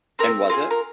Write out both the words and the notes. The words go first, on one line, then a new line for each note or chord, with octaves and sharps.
and was it?
C4 A#4
F4 G#4 A#4
A#4